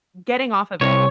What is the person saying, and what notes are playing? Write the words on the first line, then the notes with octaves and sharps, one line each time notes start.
Getting off of it.
C2 C#5